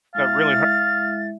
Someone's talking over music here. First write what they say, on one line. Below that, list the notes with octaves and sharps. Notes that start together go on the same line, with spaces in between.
that really h
G#3 E4 E5 F5 A6